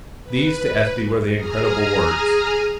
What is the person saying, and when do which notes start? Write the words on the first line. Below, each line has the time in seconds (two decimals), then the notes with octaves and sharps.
These to Ethne were the incredible words.
0.23 B4
1.34 G#4 A#5 D#6 F6